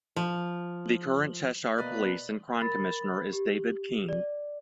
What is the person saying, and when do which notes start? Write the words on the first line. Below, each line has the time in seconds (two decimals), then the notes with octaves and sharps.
The current Cheshire Police and Crime Commissioner is David Keane.
0.16 F3
1.78 B2 A#3 B4 D5 D#5
2.61 A#4 B5 A6
3.33 G4
4.09 D5